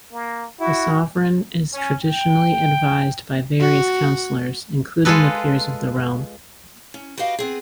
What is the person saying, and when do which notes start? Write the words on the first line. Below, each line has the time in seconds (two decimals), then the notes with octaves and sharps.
The Sovereign is traditionally advised by various counsellors, including the peers of the realm.
0.13 A#3
0.60 E4 F#4
1.74 C#4
2.04 G5
3.60 F#4
5.05 G#3 F4 G#4 A4 B4
6.94 C#4
7.18 F#4 G4 B4 D#5 F5
7.39 B3 C4 G#4